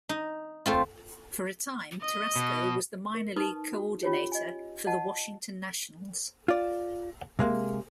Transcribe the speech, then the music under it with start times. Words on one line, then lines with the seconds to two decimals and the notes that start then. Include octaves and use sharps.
For a time, Tarasco was the minor league coordinator for the Washington Nationals.
0.09 D#4
0.66 A3 C4 F4
2.02 D#5
2.36 B2
3.15 A#4
3.36 D#4 B4 A5 C#6 D#6
3.73 F#4
4.03 C#4 F4 G4 C#5
4.32 D#5 G#5
4.86 D#5 F#5 A5
6.48 F4 D5
7.39 C3 G#3 A#3